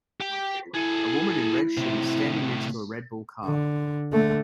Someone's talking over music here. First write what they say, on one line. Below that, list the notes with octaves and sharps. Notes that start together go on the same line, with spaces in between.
A woman in red shoes standing next to a Red Bull car.
G4 G5
E4 G#4 A4
A2 C3
D3
D3 A3